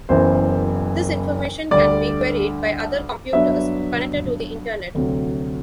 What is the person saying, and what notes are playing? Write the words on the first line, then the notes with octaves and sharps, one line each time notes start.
This information can be queried by other computers connected to the Internet.
F#1 F#2 E3 B3 C5
D2 D3 G3 D5
G2 F#3 B3 D4 E5
D2 C3 F#3